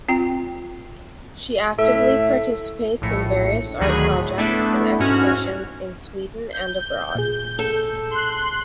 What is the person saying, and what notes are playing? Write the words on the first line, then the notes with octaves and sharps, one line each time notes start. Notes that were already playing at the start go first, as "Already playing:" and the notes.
She actively participates in various art projects and exhibitions in Sweden and abroad.
C4 F4 G5
A2 A4 E5
A#1 A2 C#7
D2 D#3 F#3 G#4 B5
A2
A3 B3 D4 E4 A4
G#2 C#4 F#4 F6 G#6
G6
A#2 G#4
A4
C6 F#6